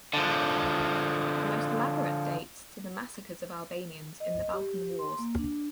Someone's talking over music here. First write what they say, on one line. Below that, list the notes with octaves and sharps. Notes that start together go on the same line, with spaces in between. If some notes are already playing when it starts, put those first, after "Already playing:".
The most elaborate dates to the massacres of Albanians in the Balkan Wars.
D3 F3
D#5
G4
C6
A#3
D4